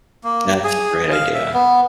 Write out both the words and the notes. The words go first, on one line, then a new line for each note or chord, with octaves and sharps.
That's a great idea.
A#3
G#4
F5
E5
B3